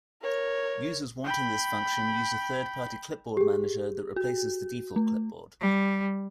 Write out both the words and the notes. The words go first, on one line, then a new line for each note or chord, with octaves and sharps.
Users wanting this function use a third-party clipboard manager that replaces the default clipboard.
A#4 C#5
G5 B5
G4 G#4
F#4
A3
G3